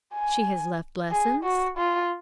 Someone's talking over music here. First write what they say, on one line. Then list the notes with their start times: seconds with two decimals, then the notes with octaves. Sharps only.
She has left lessons.
0.14 G#5
1.11 G#4
1.44 F#4
1.78 F4